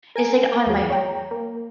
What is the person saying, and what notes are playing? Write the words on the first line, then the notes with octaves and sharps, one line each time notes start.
is like, on my
A#4 G#5 D7
E2 G#2 F#3 G#4
C#5 G5 A#5
A#3